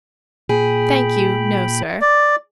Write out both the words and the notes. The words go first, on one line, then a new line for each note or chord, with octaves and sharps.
"Thank you, no, sir."
A#2 G#4 G5 B5
D5